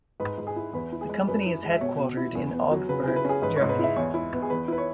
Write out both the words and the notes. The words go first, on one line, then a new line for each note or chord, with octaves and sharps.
The company is headquartered in Augsburg, Germany.
G#2 B4
G#2
G#4
E4
E2 B4
E4
G#4
G#3
F#2 B4
E4
G#3
E5
B2 C#5
B2
E4
E2
B3
F#3
C#3 B4
G#4
E4
B4
C#4 G#4
G#2 B4
C#5
G#2
B4
E4 E5
E2 C#5
E4
B3
G#4
E2 B4
E4 B4
C#5